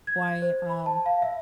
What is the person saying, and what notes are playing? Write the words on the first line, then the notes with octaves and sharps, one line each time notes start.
why um
G#6
C5
B5
A5
F5
E5